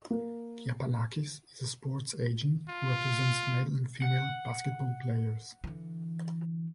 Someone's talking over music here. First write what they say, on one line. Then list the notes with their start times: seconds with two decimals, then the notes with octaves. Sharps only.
Giapalakis is a sports agent who represents male and female basketball players.
0.11 A#3
2.69 F4
4.02 F#5
5.64 D3 E3